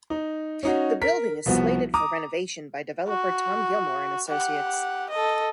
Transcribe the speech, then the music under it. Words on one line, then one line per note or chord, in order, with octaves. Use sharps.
The building is slated for renovation by developer Tom Gilmore and Associates.
D#4
C#4 D#4 F#4
A#4 B6
C2 F3 B3 F#4
A#5 D6 D#6
F#4
G4 F#5
A4 D#5